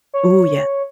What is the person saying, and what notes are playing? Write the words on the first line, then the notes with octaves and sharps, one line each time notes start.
Ooh, yeah.
C#5